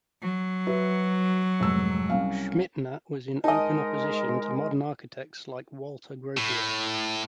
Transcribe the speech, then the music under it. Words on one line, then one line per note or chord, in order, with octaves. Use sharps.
Schmitthenner was in open opposition to modern architects like Walter Gropius.
F#3
F#4 B4 E5
F1 G#2 E6
C2 C#4 F5
G#2 G#3 D#4 A#4 D#5 G#5 A5
A2